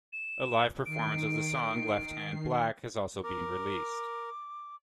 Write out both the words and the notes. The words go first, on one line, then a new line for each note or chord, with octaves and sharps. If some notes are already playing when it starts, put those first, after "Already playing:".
A live performance of the song "Left Hand Black" has also been released.
E7
D#3 C7 D7
A#4 D6